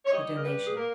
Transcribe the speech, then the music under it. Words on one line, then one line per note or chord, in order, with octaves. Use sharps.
The Donation.
C#5
G3 D#5
A#4
G3 B4
G#4
A#3 A#4